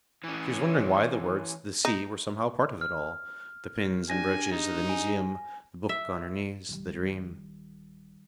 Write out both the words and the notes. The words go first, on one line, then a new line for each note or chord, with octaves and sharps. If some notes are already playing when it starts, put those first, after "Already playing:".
She was wondering why the words "the sea" were somehow part of it all--the pins and brooches of the Museum, the book on her knees, the dream.
E3 C#4
D#4
F6
D4 G4 G#4 G#5 A#6
D#4
G#5
E5
D1 D#3 G3